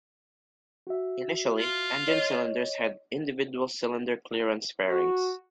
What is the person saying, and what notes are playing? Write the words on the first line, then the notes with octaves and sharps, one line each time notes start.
Initially, engine cylinders had individual cylinder clearance fairings.
F#4 E5
F4
C#5 D#5
F#4